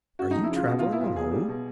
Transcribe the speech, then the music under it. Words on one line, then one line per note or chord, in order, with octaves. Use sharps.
"Are you traveling alone?"
C#3 F#4
F2 D#4
E4
C#3 F4
B2 F#4
B2 F4
E4
B1 F4
B2 G#4
G3
B2